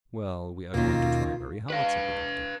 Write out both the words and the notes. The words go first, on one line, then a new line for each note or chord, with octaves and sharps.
"Well, we are going to try very hard," said the Doctor.
D#2 B2 D#3 A#3 C#4 F4
B4 F5